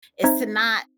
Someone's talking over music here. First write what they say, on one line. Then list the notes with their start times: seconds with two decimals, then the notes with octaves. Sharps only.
is to not,
0.23 C4 D#4 C5 E5 A#5 G#6